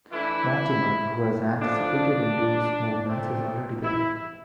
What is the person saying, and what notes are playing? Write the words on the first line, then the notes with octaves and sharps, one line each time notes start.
Mortimer, who has anticipated Indio's movements, is already there.
E3 A3 D4 E4
A2 F3 A3 D4
A#2 A3 C4
E4